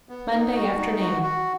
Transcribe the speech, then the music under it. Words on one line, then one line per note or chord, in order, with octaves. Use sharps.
Monday afternoon.
B3
D#4
F#4
D#4
F#4
F#4